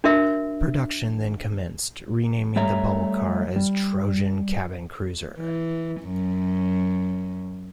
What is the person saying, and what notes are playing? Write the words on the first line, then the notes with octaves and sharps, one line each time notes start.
Production then commenced, renaming the bubble car as "Trojan Cabin Cruiser".
D4 F#4 A#4 E5
G3 A3 C#5 E5 A#5
G3
E3
F#2